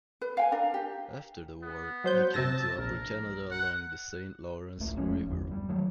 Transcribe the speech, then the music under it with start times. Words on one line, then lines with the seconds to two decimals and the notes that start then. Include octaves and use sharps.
After the war, he came to Upper Canada along the Saint Lawrence River.
0.21 B4
0.37 F5 G5 G#5
0.52 D4 A#4
0.74 G4
1.62 B3
2.04 F#3 C5 G6
2.34 C3 A5 E6 A#6
2.78 A#1 A#4
3.51 F#5
4.78 D1 A#1 A3
4.98 F1 F3 G#3 C#4
5.26 G1 E2
5.51 G3
5.69 D#3 F3 F#3 A3